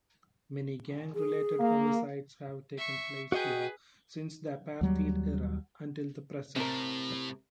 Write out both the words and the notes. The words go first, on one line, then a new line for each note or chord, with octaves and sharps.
Many gang-related homicides have taken place here since the Apartheid-era until the present.
G#4
A#3
E5 C#6
F#4 G#4 B4 D#5 G5
D#2 F#3 G3
A2 C3 A#4